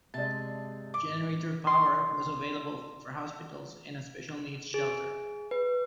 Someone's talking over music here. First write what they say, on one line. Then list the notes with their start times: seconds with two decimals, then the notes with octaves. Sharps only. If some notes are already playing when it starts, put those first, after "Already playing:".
Generator power was available for hospitals and a special needs shelter.
0.14 C3 G#3 D5 A5 A6
0.94 D6
1.67 C6
4.74 G#4
5.51 B4